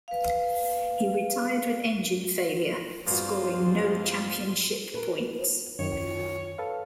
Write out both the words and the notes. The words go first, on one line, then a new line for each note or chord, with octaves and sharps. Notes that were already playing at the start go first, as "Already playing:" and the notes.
He retired with engine failure, scoring no championship points.
B4 F5
E2 G2 C4 F4 F#4
A#4 B4
F#2 D#3 C#5
A4 B4 F5